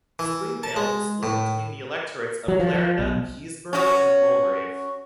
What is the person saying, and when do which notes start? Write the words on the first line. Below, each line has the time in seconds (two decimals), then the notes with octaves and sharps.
Springvale is split between the electorates of Clarinda, Keysborough and Mulgrave.
0.19 E3
0.63 A5
0.76 G#3
1.23 A2
2.48 F#3
2.60 F3
2.74 F3
2.99 B1
3.73 C#4 F#4